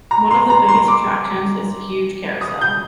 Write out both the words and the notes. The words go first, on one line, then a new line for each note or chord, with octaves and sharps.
One of the biggest attractions is the huge carousel.
A#5
C6
A#5
C6
D6
D#6
G6